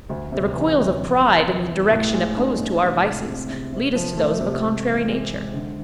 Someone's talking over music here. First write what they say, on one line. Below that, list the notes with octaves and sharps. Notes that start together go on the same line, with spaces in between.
The recoils of pride in the direction opposed to our vices lead us to those of a contrary nature.
D2
C3
E3
D2
F2
C3
E3
B3
A2
G#3
D4
A2
C3
G#3
C4
C3
C3
F3
A3
C3
G#2
E3
G#3
G#2
D3